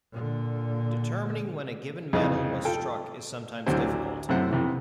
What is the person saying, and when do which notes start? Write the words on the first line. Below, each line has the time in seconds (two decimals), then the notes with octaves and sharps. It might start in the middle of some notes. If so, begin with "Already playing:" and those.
Determining when a given medal was struck is sometimes difficult.
0.11 A#2 D3
2.13 C2 F2 C#3 E3 D#4 D#5
2.65 F4 A4 G5
3.66 A1 D2 D3 F#3 E4 C5
4.29 F#2 C3 A3 E4 C5 F#5
4.50 F2 C3 E3